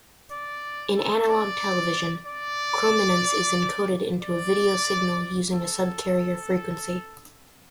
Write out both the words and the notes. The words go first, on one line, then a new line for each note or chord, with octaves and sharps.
In analog television, chrominance is encoded into a video signal using a subcarrier frequency.
D5
A4
D5
D5
D5
A4